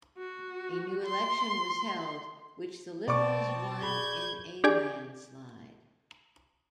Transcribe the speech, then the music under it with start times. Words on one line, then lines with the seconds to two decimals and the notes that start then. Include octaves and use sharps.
A new election was held, which the Liberals won in a landslide.
0.18 F#4
1.05 C6
3.08 B2 C4 D5 A5 C#6 D6
3.82 G#4 B5 G6 G#6
4.64 D4 G4 G#4 D5 G#5 D6